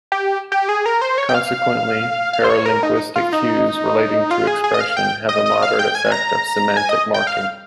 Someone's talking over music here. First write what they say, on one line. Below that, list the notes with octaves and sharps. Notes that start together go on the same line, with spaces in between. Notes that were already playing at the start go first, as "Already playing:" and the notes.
Consequently, paralinguistic cues relating to expression have a moderate effect of semantic marking.
G4
G4
G#4
A#4
C5
C#5
G5
F5
F5
C5
C#5
A#4
D#4
F4
D#4
F4
G#4
G#4
D#5
F5
G5
D#5
D#5
F5
G5
G#5
A#5
G#5
D#5
G5
F5